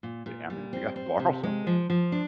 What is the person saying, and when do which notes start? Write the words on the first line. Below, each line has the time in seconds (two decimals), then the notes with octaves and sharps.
Eh I mean, if you gotta borrow something.
0.03 A#2
0.26 A#2
0.50 G3
0.73 C4
0.96 C4
1.20 C3
1.43 G#3
1.67 F3
1.90 F3
2.12 D4